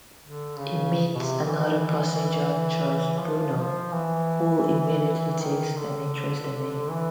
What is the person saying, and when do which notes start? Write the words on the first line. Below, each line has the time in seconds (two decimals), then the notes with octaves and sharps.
He meets another passenger, Charles Bruno, who immediately takes an interest in him.
0.22 D3
0.59 C#3
1.15 B2
1.21 C3
1.45 E3
3.19 F3
3.55 F3
3.93 E3
5.31 E3
5.41 D#3
5.78 D3
6.90 E3